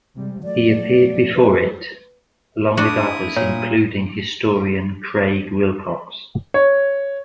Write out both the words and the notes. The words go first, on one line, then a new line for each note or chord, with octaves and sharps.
He appeared before it, along with others including historian Craig Wilcox.
C3 G3 G#3
F3 F#3 A3 D5
B4
A3 D4 E4 F#4 D#6
A#2 C#5
C#5